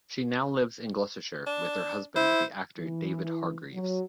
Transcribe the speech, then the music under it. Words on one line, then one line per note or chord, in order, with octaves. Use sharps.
She now lives in Gloucestershire with her husband, the actor David Hargreaves.
D4
E4 C5
E3
F#3